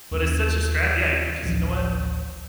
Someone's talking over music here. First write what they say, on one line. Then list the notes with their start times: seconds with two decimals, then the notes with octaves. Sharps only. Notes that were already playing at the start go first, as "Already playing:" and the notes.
But it's such a strat yeah, because you know what?
0.11 D#2 C#4
1.43 A1 D2 F3